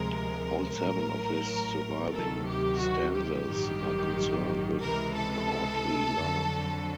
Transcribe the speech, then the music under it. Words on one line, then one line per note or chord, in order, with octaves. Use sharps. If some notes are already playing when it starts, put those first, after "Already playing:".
All seven of his surviving stanzas are concerned with courtly love.
Already playing: D2 C3 F3 G#3 A#4
A1 A2 F#3 A#4
D2 C3 D#3 F#3 A4
G4
F#4
G4
A1 G2 D#3 F#3
C#2 C3 E3 G#3 A#4
A4
F2 D3 F#3